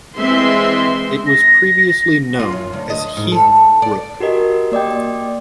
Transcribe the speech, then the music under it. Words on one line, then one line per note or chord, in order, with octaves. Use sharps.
It was previously known as "Heathe Brook".
E3 G#3 C4 E5 C6
A#6
F4
F#2
D2
D#5
G#2
A4
D5
F#4 G4 A#4 D#5
A#3 D5 D#5 G5